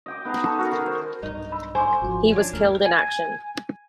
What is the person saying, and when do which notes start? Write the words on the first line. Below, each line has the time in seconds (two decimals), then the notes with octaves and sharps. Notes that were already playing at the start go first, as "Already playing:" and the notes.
He was killed in action.
0.06 D#5 G5 D6
0.25 B3 D#4 G#4 A#5
0.43 D#4 A4 A5 C#6
0.58 F#4 G#4 A#4
0.72 D#3
0.86 C5
1.23 B1 G2 D#4
1.52 B5 C6 E6
1.75 C5 G#5 C#6 D6
2.02 G#1 F3 F#4
2.32 C#4 D4
2.53 E1 E2 A3 A#4
2.86 G#5